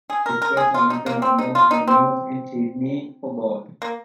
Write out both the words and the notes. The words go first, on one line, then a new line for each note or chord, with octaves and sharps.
It was one of a number of venues in Sydney for balls.
G#4
A#4
A#4
G#4
F4
D#4
A#3
C4
D#4
F4
D#4
C4
A#3